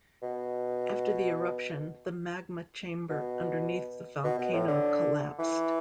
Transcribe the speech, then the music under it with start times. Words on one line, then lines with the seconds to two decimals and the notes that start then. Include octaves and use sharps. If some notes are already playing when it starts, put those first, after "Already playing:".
After the eruption, the magma chamber underneath the volcano collapsed.
0.23 B2
3.10 B2
4.24 B2
4.39 B2
4.53 A2
4.67 D3
5.39 E3